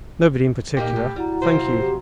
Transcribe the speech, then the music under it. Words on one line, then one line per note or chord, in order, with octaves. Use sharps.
"Nobody in particular, thank ye."
A#2 A#3 D#4 G4
A2
G3 E4 F#4 F#5 A#5
C3 F3 F#3 C5
G4